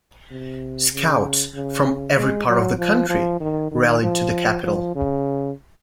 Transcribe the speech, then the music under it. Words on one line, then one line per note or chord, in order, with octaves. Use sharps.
Scouts from every part of the country rallied to the capital.
C3
C#3
C#3
G#3
F#3
F3
F3
D#3
D#3
F3
F3
C#3